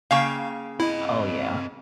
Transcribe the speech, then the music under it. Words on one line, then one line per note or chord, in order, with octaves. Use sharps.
Oh yeah.
C#3 A#3 F5 G5 C#6
C4 E4 D#5